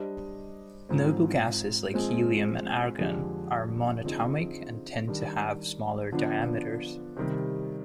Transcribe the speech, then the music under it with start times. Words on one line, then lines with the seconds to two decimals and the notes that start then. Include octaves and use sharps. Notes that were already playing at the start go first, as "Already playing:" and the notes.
Noble gases like helium and argon are monatomic and tend to have smaller diameters.
Already playing: G3 D4 G4 C5 D#5
0.89 G#2 F3 C4
1.94 F3 G#3 C4
2.98 F2 D3 G#3 D4 G4
4.03 D3 F3 C4 D#4 G#4
5.08 D#3 G3 D4
6.12 D3 F3 B3 D4
7.17 C3 D#3 G3